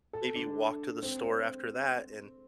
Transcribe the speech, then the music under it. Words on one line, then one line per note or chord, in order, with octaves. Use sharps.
maybe walk to the store after that and,
A4
D4
C4
C4